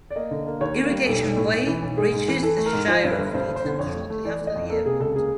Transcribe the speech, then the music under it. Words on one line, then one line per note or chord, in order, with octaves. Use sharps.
Irrigation Way reaches the Shire of Leeton shortly after the airport.
D5
A#3 D#5
D3
A#3
D#2 C#5
A#3
G3
B1 A4
B1
A2
B1
E3
B1
G#2 G#4
G#2
E3
E3 A4
A3
A#4
G#2
F3 C5
G2
B4
G1
G2 C5
G1
C5
D3
F2 C#5
A3
A3
E3 D5
A3
D#5
F2
A#3 A4
C3 G#4
C#2 A4
A#3 G#4